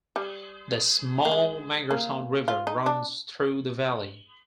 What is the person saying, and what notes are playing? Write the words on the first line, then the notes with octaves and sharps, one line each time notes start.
The small Mangerton River runs through the valley.
G3
A#3
G#3
A#3
F4
D#4
D4